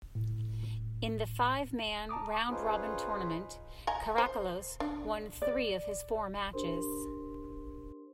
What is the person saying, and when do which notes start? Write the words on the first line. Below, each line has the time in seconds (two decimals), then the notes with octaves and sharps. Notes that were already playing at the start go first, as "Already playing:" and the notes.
In the five-man, round-robin tournament, Karakalos won three of his four matches.
0.15 A2
2.09 A5 A#5 D6 D#6
2.49 C#4 D#4 F4 G#4 B4 C5
3.87 D#5 G#5 A#5
4.18 C5
4.80 D4
5.42 D5
6.53 D4 G4 A#4 C5 C6